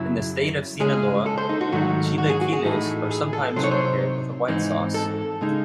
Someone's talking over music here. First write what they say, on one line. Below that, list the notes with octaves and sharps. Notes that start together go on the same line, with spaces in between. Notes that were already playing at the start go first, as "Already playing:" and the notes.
In the state of Sinaloa, chilaquiles are sometimes prepared with a white sauce.
Already playing: F#2 C#3 F#3 E4
C#3 G#3 C#4 G#4
A4
C5
D#4
F#4
G#2 D#3 F#3 A3 D#4 F#4
F#4
G#4
F#4
G#4
A2 E3 A3 D#4
G#4
A4
C3 F#3 C4 D#4 C5
C#5
C5
G#2 E3 C4 D#4
A4
C#3 G#3 D#4